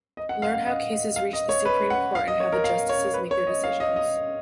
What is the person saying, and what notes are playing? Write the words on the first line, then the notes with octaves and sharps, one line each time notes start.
Learn how cases reach the Supreme Court and how the justices make their decisions.
D#5
F#5
F5
F5
D#5
D#5
F5
D#5
C#5
B4
F#5
F5
D#5
C#5
A#4
F5
C#5
B4
C#5
D#5
F5
D#5
D#5